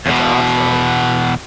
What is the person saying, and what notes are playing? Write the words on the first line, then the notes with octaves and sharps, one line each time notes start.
That's awesome.
E2 B2